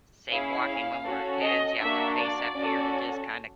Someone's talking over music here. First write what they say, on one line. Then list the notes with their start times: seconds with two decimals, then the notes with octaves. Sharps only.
say, walking when we're kids, you have to face that fear to just kinda
0.29 C#4 E4 G#4 F5
0.67 F5
1.05 C#4 F#4 A4
1.43 D#5
1.81 A#3 D4 F#4 E5
2.19 D5
2.57 C#4 F#4 A4